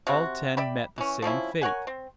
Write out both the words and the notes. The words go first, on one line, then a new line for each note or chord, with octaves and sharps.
All ten met the same fate.
C3 C4 F#4
D5 E5 G5 B5
E3 C#4
F3 C4 C#4 E4
A#4 C#5 F#5 G#5
C4